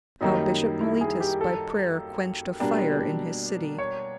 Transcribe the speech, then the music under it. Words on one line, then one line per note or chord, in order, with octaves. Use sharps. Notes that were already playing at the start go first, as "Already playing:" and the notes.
How Bishop Mellitus by prayer quenched a fire in his city.
F#2 D#3 G3 A#3 D#4
E4
G#4
G4
A4
B2 G3 A#3 D4 G4
C#5